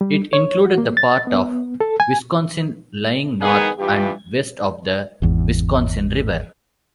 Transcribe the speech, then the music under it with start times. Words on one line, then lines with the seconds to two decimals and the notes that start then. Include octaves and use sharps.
It included the part of Wisconsin lying north and west of the Wisconsin River.
0.01 G3
0.33 C#5
0.66 F#4
0.78 A#3
0.97 A6
1.27 B3
1.80 A4
2.00 G#5
3.41 D#3 B3 D#4 G#4
3.79 G2 E3 F4 G4
5.22 G#1 E2